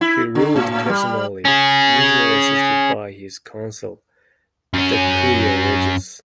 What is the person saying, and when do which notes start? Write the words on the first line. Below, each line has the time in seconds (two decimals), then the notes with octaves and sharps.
He ruled personally, usually assisted by his Council, the Curia Regis.
0.01 E4
0.35 D3
0.56 A2
0.89 G3
1.45 C#4 G#4
4.74 F#2 C#4